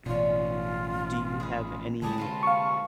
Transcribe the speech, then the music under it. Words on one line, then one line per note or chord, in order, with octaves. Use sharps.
Do you have any
A1 B2 D3 C#4 F4
G#4 B4
D3 G#3 G4 G#4 B4 A5
C3 F4 B4
F5 C#6